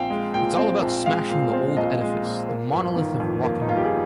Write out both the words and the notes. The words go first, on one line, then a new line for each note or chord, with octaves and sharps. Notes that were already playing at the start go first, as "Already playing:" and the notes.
It's all about smashing the old edifice, the monolith of rock and roll.
Already playing: A#1 C4 F5 G5
G#3
A#2 G5
C4
A#1
G#3 F5
A#2
C4
A#1 D#5
G#3
A#2
A#3
G1
D#3
F2
A#3
D#4
G1 F4
G4
G#4